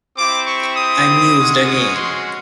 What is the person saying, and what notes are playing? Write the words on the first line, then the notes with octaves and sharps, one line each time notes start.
I mused again.
C4 E4 G4 D6
C#6
D#6
G#3 C#4 F#4
D#6
C6